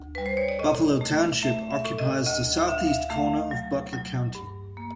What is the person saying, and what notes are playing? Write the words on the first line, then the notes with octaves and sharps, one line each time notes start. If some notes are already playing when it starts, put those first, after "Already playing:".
Buffalo Township occupies the southeast corner of Butler County.
Already playing: D2
G3 B4
C5
C#5
D5
A2 D#5
A3
A3 E5
E5
A2
D#5
D2 D#5
D2 E5
F5
E5
A3 F5
F#3
F#3
G2
A#3